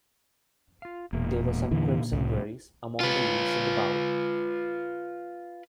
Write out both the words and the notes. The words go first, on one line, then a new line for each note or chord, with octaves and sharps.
There were some crimson berries among the leaves in the bowl.
F4 F5
E1 A#2 A#3
E2 D3 E3
C2 A2
F4 B4